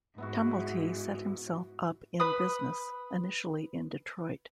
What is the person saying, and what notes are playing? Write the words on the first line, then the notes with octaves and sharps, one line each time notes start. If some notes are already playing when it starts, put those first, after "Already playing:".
Tumblety set himself up in business, initially in Detroit.
G#2 B3 E4 F#4
B4 B5 D#6